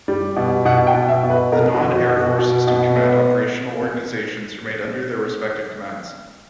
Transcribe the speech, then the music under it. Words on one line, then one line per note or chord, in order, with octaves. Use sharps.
The non-Air Force System Command operational organizations remained under their respective commands.
G3
B2
B2 F#5
G5
B2
E5
B2
B4
B2 A#4
F#4
B2
F#4
B2
F#4
B2
B2
B3